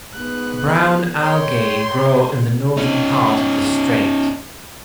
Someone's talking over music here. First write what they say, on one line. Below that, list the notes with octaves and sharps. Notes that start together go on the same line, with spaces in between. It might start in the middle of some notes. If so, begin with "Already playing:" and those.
Brown algae grow in the northern part of the strait.
G#2 B3 F#6
C#5 G5 C6
C#4 D#4